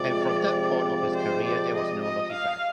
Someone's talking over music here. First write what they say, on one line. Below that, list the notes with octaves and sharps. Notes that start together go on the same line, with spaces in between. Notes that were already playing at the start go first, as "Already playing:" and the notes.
And from that point of his career there was no looking back.
Already playing: C3 F3 G#3 C4 D5
C5
D5
D#5
D#5
F5